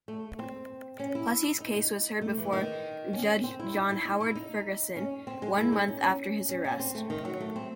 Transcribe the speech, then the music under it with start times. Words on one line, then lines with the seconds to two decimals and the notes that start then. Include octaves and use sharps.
Plessy's case was heard before Judge John Howard Ferguson one month after his arrest.
0.08 A3
0.39 C4
1.00 C#4
1.15 E4
1.60 D#4
1.76 D#4
2.21 A3
2.37 E3
2.53 D#3
3.13 C#4
3.44 C4
3.59 E4
3.74 D#4
3.89 E4
4.05 D#4
4.20 E4
4.35 D#4
4.96 C#4
5.27 C4
5.42 G#3
5.57 E4
5.72 D#4
5.88 C#4
6.03 C#4
6.49 C#4
6.64 C#4
6.80 C4
6.95 A3
7.10 D#3
7.25 F#3
7.41 A3
7.56 C4